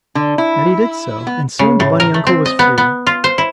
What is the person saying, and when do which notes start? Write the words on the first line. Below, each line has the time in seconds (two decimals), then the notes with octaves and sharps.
Neddie did so, and soon the bunny uncle was free.
0.15 D3
0.38 E4
1.27 B3
1.59 C#3
1.80 A2
2.00 A#4
2.14 A3
2.27 C4
2.46 D#5
2.59 B3
2.78 B3
3.07 F4
3.24 C5
3.38 E4